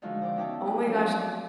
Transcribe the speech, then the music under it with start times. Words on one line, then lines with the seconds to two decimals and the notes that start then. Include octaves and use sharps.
Oh, my gosh, uh
0.02 D3 D#3 F3 G#3 F4 F#4
0.22 C5 G5 D6
0.36 B3 C#4 D#4 E5 G5 A5
0.64 G#3 C4 E4
0.86 F3 F#3 B3 C#4 D4
1.04 C4 G#5 C6 D6